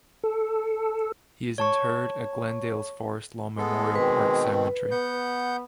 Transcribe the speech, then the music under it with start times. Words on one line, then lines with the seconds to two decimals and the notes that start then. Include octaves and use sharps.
He is interred at Glendale's Forest Lawn Memorial Park Cemetery.
0.24 A4
1.58 C#5 A5 C#6
3.58 G#3 B3 A4
3.95 B2 D#3 C4 B4
4.91 B3 F#5 G6